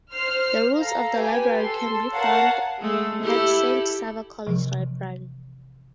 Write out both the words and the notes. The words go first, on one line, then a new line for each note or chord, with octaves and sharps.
The roots of the library can be found at Saint Sava College library.
C5 F6 C7
A4 F5 A#5
G4 B4 G#5
A4 C6
A#4 C#5 F5 F#5 A5
G#3 A3
E4 G4 A4
C3 E3 F3